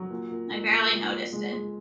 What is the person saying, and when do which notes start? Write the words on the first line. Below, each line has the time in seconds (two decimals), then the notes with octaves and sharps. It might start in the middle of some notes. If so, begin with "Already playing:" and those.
I barely noticed it.
Already playing: F#3
0.10 A#2
0.31 A#2
0.50 A#2
0.71 A#2
0.92 A#2
1.12 A#2
1.33 G#3
1.52 G#3